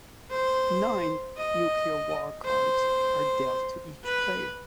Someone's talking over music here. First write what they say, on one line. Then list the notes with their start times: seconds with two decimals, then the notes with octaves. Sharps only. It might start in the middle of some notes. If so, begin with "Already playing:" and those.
Nine Nuclear War cards are dealt to each player.
0.31 C5
1.38 D#5
2.44 C5
4.05 B4